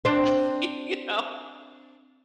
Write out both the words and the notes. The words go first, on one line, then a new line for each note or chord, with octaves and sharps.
Like, you know,
C4 D4